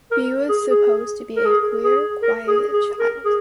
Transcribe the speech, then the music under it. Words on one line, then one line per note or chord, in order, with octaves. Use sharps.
He was supposed to be a queer, quiet child.
A#4
G#4
G#4
A#4
G#4
G#4
A#4
G#4
G#4
A#4
G#4